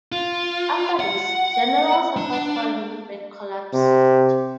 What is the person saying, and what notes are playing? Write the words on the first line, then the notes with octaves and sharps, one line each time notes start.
After this, general support for the movement collapsed.
F4
F#5
D4
C3